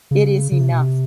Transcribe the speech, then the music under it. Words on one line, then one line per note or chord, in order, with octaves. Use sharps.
It is enough!
C#3
C#3
C3
B2
C3